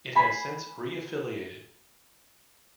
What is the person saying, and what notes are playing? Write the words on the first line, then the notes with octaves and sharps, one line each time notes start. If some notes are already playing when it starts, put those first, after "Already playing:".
It has since re-affiliated.
G#5 B5 B6 C7